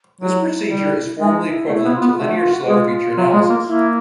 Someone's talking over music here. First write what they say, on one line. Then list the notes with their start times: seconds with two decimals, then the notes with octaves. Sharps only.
This procedure is formally equivalent to linear Slow Feature Analysis.
0.21 F#3 E4
0.71 G3
1.19 G#3 D#4
1.45 E4
1.69 A3 E4
1.85 B3
1.93 F4
2.01 B3
2.18 A3 F#4
2.34 F4
2.51 F#4
2.67 G#3 G#4
2.72 F4
3.17 F#3
3.33 G#3
3.49 A#3
3.66 A#3 E4